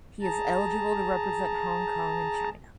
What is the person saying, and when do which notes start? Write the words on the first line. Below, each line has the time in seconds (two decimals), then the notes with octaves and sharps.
He is eligible to represent Hong Kong and China.
0.22 G#4 A5 A#5